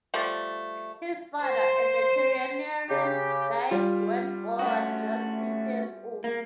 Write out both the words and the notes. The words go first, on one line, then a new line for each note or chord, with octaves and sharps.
His father, a veterinarian, died when Borger was just six years old.
F3 G3 A3
C5
C#3 G4
G3 F4
A3 C#4 F#4
A#3